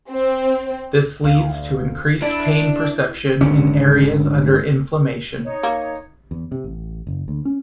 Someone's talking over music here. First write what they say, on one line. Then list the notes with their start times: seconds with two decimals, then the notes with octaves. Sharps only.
This leads to increased pain perception in areas under inflammation.
0.11 C4
1.24 D2 F5
2.22 D4 E4 D5
3.41 G#1 D2 D3 C#4
5.43 D#4 C#5
5.63 A#3
6.31 E2
6.52 C3
6.64 A1
7.07 F#1
7.28 D2
7.45 C#4